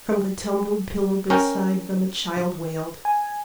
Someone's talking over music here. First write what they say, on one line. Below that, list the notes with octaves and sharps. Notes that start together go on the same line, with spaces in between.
From the tumbled pillow beside them a child wailed.
C#4 A#4 G5
G#5